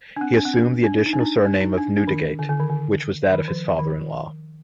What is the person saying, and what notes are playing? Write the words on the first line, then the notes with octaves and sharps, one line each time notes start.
He assumed the additional surname of Newdegate, which was that of his father-in-law.
D4
C4
D4
C4
D4
D4
D#4
D4
D#4
D4
D#4
D4
D4
D#3
D3
D3
D#3
D3
D#3
F3
D#3